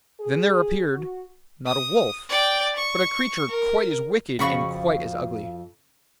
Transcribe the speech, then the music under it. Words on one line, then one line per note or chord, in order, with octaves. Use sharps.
Then there appeared, not a wolf, but a creature quite as wicked and quite as ugly.
G#4
F#4
D#6
D5 G5
C#6
A#4
F2 C#3 F#4 F5 B5 C#6